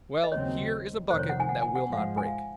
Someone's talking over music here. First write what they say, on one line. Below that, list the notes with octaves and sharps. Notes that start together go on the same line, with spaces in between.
Well, here is a bucket that will not break.'
D#5
D#2 C#3 F#3 C4 C#5
F1 F2 D#3 C5
C#5
F#5
G#5
F#5
G#5
F#5
G#2 F3 G#3 F5
F#5
G#5
F5